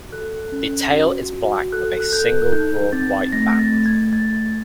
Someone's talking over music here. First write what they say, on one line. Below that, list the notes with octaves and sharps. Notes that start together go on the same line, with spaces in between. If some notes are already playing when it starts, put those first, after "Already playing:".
The tail is black with a single broad white band.
Already playing: F#4
A4 F#6
C#4
F#4
F#4
A4 F#6
F#6
A4 G6
D#4 G6
C4 A6
A3 A#6
A6
A3
G#6
A3 A6